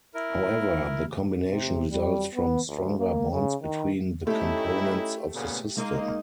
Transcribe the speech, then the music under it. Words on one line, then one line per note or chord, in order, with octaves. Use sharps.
However, the combination results from stronger bonds between the components of the system.
E4 A#4
C3
G3
B3
D2
A#3
C#3
D#3
A3 C#4 D#4 E4 G4 A4
A#2 C#3 B3
G#3 A#3 D#4 D#5